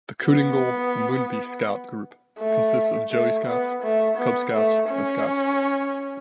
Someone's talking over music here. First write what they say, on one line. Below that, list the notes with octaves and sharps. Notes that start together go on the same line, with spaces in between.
The Kootingal-Moonbi Scout group consists of Joey Scouts, Cub Scouts and Scouts.
B3
A3
A3
B3
A3
B3
A3
C#4